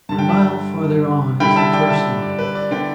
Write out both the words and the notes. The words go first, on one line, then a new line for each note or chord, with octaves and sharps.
A mile farther on is the first line.
G2 D3 G3 A5
G5
E5 A5
D3 G3 E4 G5 B5
E5 A5
D5 G5
E5 A5
D5
B4
D5
D3 B3 E4 D5 G5